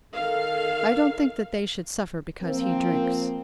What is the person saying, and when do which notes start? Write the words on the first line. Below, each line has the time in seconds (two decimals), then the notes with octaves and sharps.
"I don't think they should suffer because he drinks."
0.14 D#3 A4 F5
2.42 F3 A#3 C4